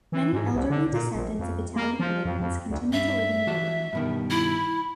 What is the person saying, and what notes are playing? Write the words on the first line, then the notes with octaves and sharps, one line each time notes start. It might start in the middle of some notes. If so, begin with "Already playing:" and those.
Many elderly descendants of Italian immigrants continue to live in the neighborhood.
E3
G#2
C2
D3
A#2
A#1
F2
A#3
F3
F2
F2
D2
G2 E5
E3 F#4 A5
G2 B2 D#3
E4